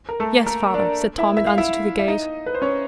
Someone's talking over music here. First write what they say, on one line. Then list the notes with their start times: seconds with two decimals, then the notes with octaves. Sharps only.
"Yes, father," said Tom, in answer to the gaze.
0.09 A#4
0.20 A3 A4
0.46 A#3 A#4
0.74 D4 D5
1.18 E4 E5
1.37 E5
1.46 F5
1.58 E4 E5
1.99 E5
2.08 D#4 D#5
2.46 B4
2.55 C5
2.62 C#4 C#5